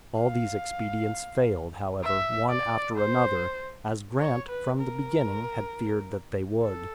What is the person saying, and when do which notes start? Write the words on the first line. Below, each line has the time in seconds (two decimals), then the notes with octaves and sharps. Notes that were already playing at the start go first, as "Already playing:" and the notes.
All these expedients failed, however, one after another, as Grant, from the beginning, had feared that they would.
0.19 F5
2.04 E5
2.49 D5
2.96 C5
4.19 C#5
4.49 B4
4.79 A#4
6.64 A4